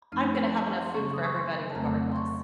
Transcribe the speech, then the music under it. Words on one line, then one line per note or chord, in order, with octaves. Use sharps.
I'm gonna have enough food for everybody regardless.
F#2 F3 A3 C4 D#4 F6
C6
C#3 F#3 A#3 C#4 C#6
D#6
C#6
C6
A5
F2 C#3 F#3 A3 C4 A#5
C6
C#6